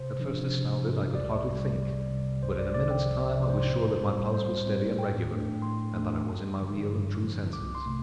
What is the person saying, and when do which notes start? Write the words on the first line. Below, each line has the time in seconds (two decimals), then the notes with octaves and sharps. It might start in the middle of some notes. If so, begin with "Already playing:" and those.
At first astounded, I could hardly think, but in a minute's time I was sure that my pulse was steady and regular, and that I was in my real and true senses.
Already playing: C3 C5
0.19 F3 D4
0.51 C3
0.83 F3 D4
1.15 C2 D5
1.47 C3
1.52 G3
1.79 C2
2.11 C3 G3
2.42 C2 C5
2.58 D5
2.74 C3 F3 D5
2.90 G5
3.07 C2
3.39 C3 F3
3.49 C5
3.70 A2 C5
4.02 G3 C4
4.34 A2 C5
4.66 G3 C4
4.98 A2 G5
5.31 A3 D4
5.62 A2 C6
5.95 A3 D4
6.26 G2
6.58 D3 F3
6.90 G2
7.22 D3 F3
7.53 C2 D6
7.75 C6
7.86 C3 A3